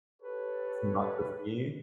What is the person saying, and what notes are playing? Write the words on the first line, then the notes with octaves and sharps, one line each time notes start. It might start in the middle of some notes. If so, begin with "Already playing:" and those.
not just me."
G4 A4 B4 C#5